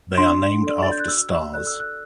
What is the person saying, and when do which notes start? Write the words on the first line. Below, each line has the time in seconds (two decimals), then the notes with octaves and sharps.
They are named after stars.
0.18 D4 C6
0.63 A4 D5
0.83 A6
0.92 G6
1.00 F#6
1.08 F#4 E6
1.54 A4 D5 F#6
1.67 E6
1.80 F#6